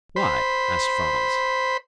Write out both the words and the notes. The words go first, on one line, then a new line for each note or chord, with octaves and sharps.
"Why?" asked Franz.
C5 B5